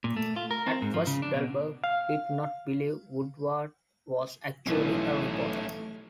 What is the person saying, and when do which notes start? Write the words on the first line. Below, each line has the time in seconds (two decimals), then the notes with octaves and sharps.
At first, Dahlberg did not believe Woodward was actually a reporter.
0.04 A#2
0.16 A3
0.36 F4
0.51 A#4
0.66 C4
0.82 G#2
0.94 F3
1.07 C#3
1.22 D4
1.34 B2
1.84 F5
4.66 B1 E3 A3 C#4